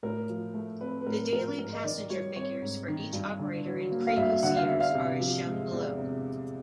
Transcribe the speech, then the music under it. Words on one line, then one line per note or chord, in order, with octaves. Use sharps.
The daily passenger figures for each operator in previous years are as shown below.
A2 A#4
F3
A3
C4 B4
B4
A2 A#4
F3 A#4
G#2 A#4
D#5
D#3 D5
G3 C#5
C4 C#5
G#2
D#3
G2
D3
F#3
A#3
F5
G2 E5
D3 F#5
F5
E2 E5
F5
C3
F3
G#3
E2
C3